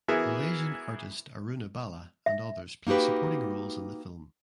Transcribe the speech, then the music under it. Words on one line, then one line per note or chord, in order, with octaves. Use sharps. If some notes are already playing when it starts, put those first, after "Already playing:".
Malaysian artist Aruna Bala and others play supporting roles in the film.
E3 B3 E4 F#4 G#4 A#4
E5
A#3 D#4 F#4 G4 B4